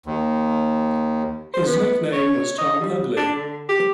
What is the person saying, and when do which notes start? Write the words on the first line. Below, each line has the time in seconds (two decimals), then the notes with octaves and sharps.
His nickname was Tom Ugly.
0.06 D#2
1.54 C5
1.67 B3
2.13 C#5
2.58 D#5
2.80 G3
3.17 D4
3.36 D3
3.69 G4